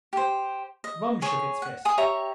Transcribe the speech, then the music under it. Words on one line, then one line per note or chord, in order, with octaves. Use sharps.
Rum shook its fist.
G4 C5
D#5
G#4 C#5
F#5
G#4 G#5 D#6
G4 C#5 E5 A#5